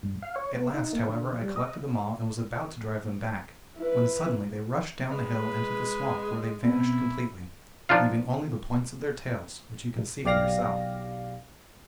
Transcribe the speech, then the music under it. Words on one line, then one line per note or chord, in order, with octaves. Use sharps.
At last, however, I collected them all and was about to drive them back, when suddenly they rushed down the hill into the swamp, where they vanished completely, leaving only the points of their tails, which you can see for yourself.'
G2
F5
C#5
B3
D#4
A#3
D3
G3
D#5
E4 B4
G#3 B4
B2 B3 C4 E4
F3 D4 D#4 F4 F5
B1 G4 D5 F5 A#6